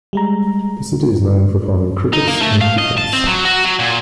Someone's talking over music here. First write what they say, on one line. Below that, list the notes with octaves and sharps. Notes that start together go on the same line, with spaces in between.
The city is known for farming crickets and pecans.
G3 G#3 A#5
D#4
A#3
A3
F5
D#5
A5
C4
F#3
F#4
F#3
A#2